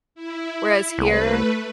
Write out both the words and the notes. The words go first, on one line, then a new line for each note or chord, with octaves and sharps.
whereas here,
E4
C2 A3 B4